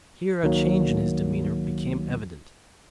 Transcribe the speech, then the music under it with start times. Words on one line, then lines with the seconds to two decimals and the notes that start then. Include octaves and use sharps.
Here a change in his demeanor became evident.
0.43 C#2 D#3 F#3 A#3